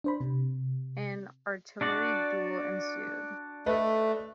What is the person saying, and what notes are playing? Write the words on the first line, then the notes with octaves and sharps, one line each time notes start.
An artillery duel ensued.
D4 C5 B5
C3
D4 F#4 D5
A3 A4 B4 D#5